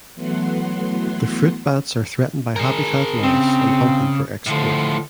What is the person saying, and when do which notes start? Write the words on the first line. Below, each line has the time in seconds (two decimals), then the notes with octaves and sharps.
The fruit bats are threatened by habitat loss and hunting for export.
0.15 E3 F#3 A3 B3 F#5 C6
2.56 G#4 A#4
3.23 C#3 C4
4.46 A2 D3 F3